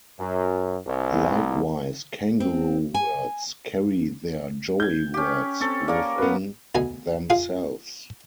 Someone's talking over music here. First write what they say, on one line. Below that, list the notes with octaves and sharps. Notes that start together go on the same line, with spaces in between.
Likewise, "kangaroo words" carry their "joey words" within themselves.
F#2
C2
C4
G#5
G6 G#6
C#4 G4
C4 A4 C#5
A#3 A#4 D5
B3 B4
D2 B2 G#5
F4 G#4 F5